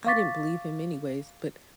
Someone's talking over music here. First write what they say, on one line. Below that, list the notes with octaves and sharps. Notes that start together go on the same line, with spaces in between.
"I didn't believe him anyways, but
F5 C#6 D6 A6 B6